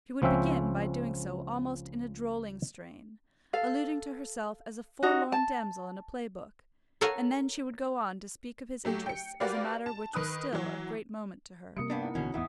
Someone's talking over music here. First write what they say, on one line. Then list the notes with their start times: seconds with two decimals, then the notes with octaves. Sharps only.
She would begin by doing so almost in a drolling strain, alluding to herself as a forlorn damsel in a play-book; and then she would go on to speak of his interests as a matter which was still of great moment to her.
0.22 C#2 F3 C4 C#4 E5 G5
3.53 A4 F5
5.03 D#4 F#4
5.32 A5
7.01 A4 A#4 C#5 F5 F#5 G#5
8.85 F#3 A3 G4
9.06 G5 C#7
9.40 F#4 G4 A#4 B4 D5 F5
9.86 A5
10.13 D#3 B4 D#6 F#6
10.53 E3 F#3
11.77 C3 G3 A#3 D#6 C#7
11.90 G2 B3 D4
12.02 D#4 E4 F#5
12.15 A1 B2 D3 E3 C#4
12.34 D1 E2 G#2 E3 B3 E5 F#5 D#6